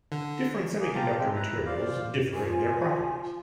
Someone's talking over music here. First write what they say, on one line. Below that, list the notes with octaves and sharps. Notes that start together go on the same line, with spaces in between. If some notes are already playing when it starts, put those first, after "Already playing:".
Different semiconductor materials differ in their properties.
D3
A#3 G#4 G#5
F4 G4 A5 A#5
G#3 C4 G5
E4 B4 A#5
F4 C5 D5 F5
F3 G#5